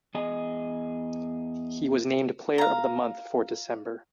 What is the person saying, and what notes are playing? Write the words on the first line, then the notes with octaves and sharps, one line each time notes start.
He was named Player of the Month for December.
E2 G#4 D#5
F5 A#5